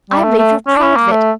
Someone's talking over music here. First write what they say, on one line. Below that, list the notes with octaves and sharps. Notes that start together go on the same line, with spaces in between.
I believe you're proud of it.
G3
A3
A3
C#4
D4
C#4
A#3
A3